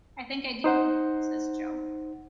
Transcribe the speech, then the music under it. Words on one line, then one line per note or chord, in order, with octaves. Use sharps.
"I think I do," says Jo.
D#4 C5 F#5